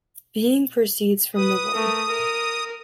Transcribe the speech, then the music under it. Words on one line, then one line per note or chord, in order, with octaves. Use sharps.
Being proceeds from the One.
B4 D#6
A3 A#4
A#4